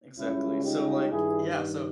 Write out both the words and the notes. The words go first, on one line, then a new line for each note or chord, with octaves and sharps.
Exactly so like yeah, so
C#2 C#3 G3 C#4 E4
D#4 G4
G2 D#3 G3 E4 G#4